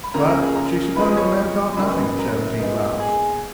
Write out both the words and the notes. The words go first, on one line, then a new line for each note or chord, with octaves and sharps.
But she supposed a man thought nothing of seventeen miles.
B5
C#2 C#3 F3 A#3 C#4 A#4 A#5
A#4 A#5
G#4 G#5
A#4 A#5
F2 F3 G#3 B3 D#4 B4 B5
D#6
C#5 C#6
F#2 C#3 F#3 A#3 D#4 B5
C#6
B4 B5
A#4 A#5
A#2 G#3 B3 D#4
G#4 G#5